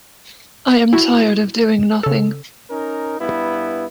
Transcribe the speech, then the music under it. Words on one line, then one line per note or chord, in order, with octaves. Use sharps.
I am tired of doing nothing.
E4 F#4
C#3 A4
C#4 D#4 A#4
G2 B3 E4